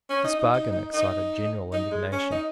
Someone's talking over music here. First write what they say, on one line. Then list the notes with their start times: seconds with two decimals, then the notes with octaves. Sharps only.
This bargain excited general indignation.
0.09 C#4
0.24 D#4
0.39 D#4
0.54 D#4
0.72 D#4
0.93 D#4
1.73 D#4
1.91 G#3
2.12 C#4
2.32 D#4